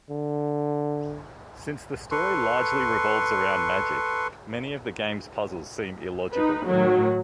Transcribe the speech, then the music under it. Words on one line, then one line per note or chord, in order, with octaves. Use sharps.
Since the story largely revolves around magic, many of the game's puzzles seem illogical.
D3
A4 B4 C6 C#6
D#4 B4
A2 D#3 F#3